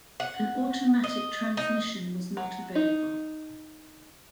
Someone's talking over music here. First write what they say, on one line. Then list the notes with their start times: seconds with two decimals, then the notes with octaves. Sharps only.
An automatic transmission was not available.
0.20 F#5
1.04 D#5
1.57 D#4
2.37 F#3
2.75 D#4